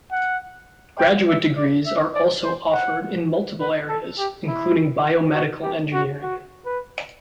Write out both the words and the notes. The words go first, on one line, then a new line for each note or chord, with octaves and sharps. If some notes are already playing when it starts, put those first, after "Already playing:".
Graduate degrees are also offered in multiple areas, including Biomedical Engineering.
F#5
G5
E5
D5
E5
D5
C5
F#5
B4
A4
G4
E4
F#4
G4
F#4
F#4
B4